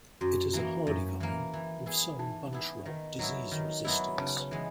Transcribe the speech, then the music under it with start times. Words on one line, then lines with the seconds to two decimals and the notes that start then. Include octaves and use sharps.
It is a hardy vine with some bunch-rot disease resistance.
0.21 F#2 F#4
0.53 E3 A#3 E4
0.87 F#2
1.20 E3 A#3
1.54 E3
1.86 B3 E4 G#4
2.19 E3 D#4
2.53 B3 E4 G#4
2.86 D#3
3.19 F#3 B3 E4
3.52 D#3
3.85 F#3 B3 E4
4.18 C#3 D#4
4.51 E3 G#3 B3